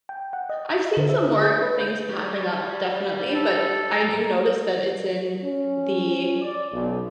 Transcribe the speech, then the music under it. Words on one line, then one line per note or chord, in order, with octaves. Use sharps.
I've seen some more things popping up definitely, but I do notice that it's in the
G5
F#5
D#5
D3
E5
G#4
B4
G6
G4 C#5 D5
A4
G#2 A#5
C#4
D5
B1